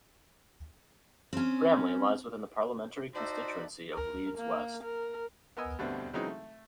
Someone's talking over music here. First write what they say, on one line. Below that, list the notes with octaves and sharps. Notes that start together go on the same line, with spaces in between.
Bramley lies within the Parliamentary constituency of Leeds West.
C4 C#4
D#4 F#4 C5 D5 E5 A5 B5
A#4
A#3
A#4
B3 A#4 D#5 G#5 E6
G2 B2 D3 G3 A3 C4
C#3 E3 F#3 G#3 C4 D#4
A3